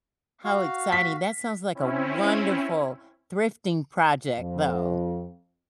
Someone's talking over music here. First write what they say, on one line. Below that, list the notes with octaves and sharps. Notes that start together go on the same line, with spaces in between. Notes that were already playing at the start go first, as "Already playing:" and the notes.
how exciting. That sounds like a wonderful thrifting project though,
F#4 F5
B6
C4 C#4 E4
F2